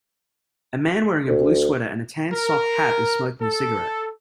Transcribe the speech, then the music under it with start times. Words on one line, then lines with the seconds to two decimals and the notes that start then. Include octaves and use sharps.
A man wearing a blue sweater and a tan sock hat is smoking a cigarette.
1.28 D2
2.33 A#4
3.41 A4